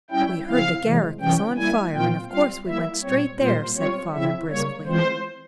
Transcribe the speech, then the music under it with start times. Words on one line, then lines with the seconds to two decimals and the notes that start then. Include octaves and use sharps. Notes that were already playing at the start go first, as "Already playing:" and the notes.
We heard the Garrick was on fire, and of course we went straight there,' said father, briskly.
0.11 G3 C#4 E4 G5
0.47 C#3 F3 C4 E4 F5
0.84 C3 E3 G#3
1.20 C3 E3 G3 C#4 G5
1.56 G3 A#3 E4 G#5
1.94 A#2 F3 C4 F4 G5
2.30 G3 C4 F4 F5
2.66 G3 A#3 E4 E5
3.03 A#2 G3 C4 C#5
3.39 A#2 G3 A#3 F4 C5
3.76 G3 C4 F4 C#5
4.13 C#3 F3 C4 E4 E5
4.49 C#3 G3 A#3 C#5
4.86 E3 G#3 C4 F4 C5